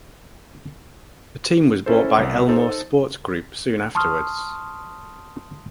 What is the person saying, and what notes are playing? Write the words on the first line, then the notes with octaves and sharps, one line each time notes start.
The team was bought by Elmore Sports Group soon afterwards.
C#4 E4 A4 C5
C2
D#4 A4 C5
A5 C6 C#6 D#6 F6